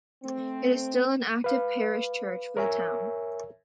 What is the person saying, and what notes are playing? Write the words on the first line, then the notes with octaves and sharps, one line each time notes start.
It is still an active parish church for the town.
A3 C4
B4 F5
A#4 C#5 E5 G#5